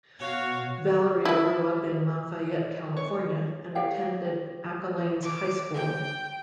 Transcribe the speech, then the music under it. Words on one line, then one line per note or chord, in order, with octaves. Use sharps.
Valory grew up in Lafayette, California and attended Acalanes High School.
B2 F#4 C#5 F5
E4 B4
C#5
G4 C#5 F5 G5
D6
G5